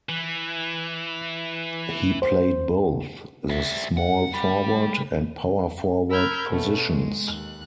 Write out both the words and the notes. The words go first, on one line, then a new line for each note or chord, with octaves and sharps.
He played both the small forward and power forward positions.
E3
C5
G3 E5
F#5
G3
A#4 B5 E6 F6 G6 G#6
B2 A3 C#4
G#3
D#2 F#6